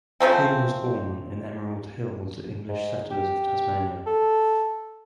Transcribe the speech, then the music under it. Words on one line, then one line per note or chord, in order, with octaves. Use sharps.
King was born in Emerald Hill to English settlers of Tasmania.
C#3 F3 A3 C4
G#2
G4
A4